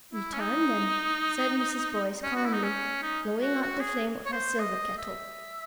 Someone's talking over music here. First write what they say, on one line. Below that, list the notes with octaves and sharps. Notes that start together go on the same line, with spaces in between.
"Return them," said Mrs. Boyce, calmly, blowing out the flame of her silver kettle.
E4
C#4
D#4
C#4
F#4
E4
D#4
C#4
D#4
F#4
F#4
G#4
C#5
C5
D#5
E5